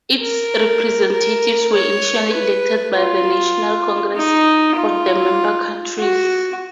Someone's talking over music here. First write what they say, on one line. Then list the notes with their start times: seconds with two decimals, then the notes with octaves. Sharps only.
Its representatives were initially elected by the national congresses of the member countries.
0.21 A#4
1.12 A#4
1.73 C#5
2.33 B4
2.94 F4
4.15 D#4
4.76 F4
5.99 F#4